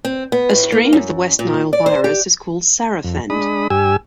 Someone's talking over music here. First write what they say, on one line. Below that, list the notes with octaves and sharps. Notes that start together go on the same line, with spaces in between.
A strain of the West Nile Virus is called 'Sarafend'.
C4
B3
A2
A#3
F#2
A#2
D5
C5
G4
F2
G#3 D4 B5 D#6
G2 G4 G#5 E6